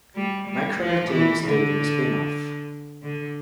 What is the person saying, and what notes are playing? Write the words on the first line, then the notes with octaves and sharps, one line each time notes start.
Micron retained a stake in the spinoff.
G3
G3
F3
E3
D3
D3